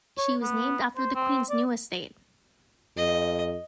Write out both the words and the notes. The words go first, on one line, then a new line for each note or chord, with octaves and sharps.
She was named after the Queen's new estate.
C#5
B3
C5
C4
D5
F2 D#5